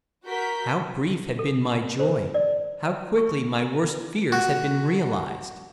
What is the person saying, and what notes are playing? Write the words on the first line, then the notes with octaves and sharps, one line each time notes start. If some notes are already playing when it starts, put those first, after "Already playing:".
How brief had been my joy; how quickly my worst fears had been realized.
F#4 A#4 G6 B6
A4
C5
D5
C#6
F#4